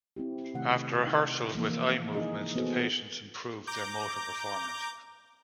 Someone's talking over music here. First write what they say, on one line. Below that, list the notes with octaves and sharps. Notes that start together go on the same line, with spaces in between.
After rehearsal with eye movements, the patients improved their motor performance.
C4 E4 G4
C3 D#3 A3 F#5
D#4
E3 F3 A#3
D#4 E4 G#4 D#5
B3 D#4 F#4 G#4 A4 C5
A#5 D6 G6